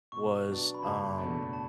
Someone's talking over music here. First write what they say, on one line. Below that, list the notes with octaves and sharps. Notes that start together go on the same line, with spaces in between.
was, um
B2 C#6
F#3 B3 D4
B5
F#1 A5
E2 B2 A3 D4
A5